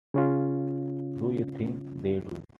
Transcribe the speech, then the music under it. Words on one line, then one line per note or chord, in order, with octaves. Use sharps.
Do you think they do?
C#3 C#4 F4